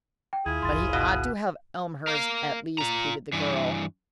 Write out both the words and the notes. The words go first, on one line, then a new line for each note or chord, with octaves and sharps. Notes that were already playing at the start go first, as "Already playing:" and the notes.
"But he ought to have Elmhurst, at least," pleaded the girl.
G5
D#2 E4 F4 G#4 G#6
G1 C#2 F#2 C6 A6
B2 F5 D#6
A#4 F5
F4 A#5
G2 E3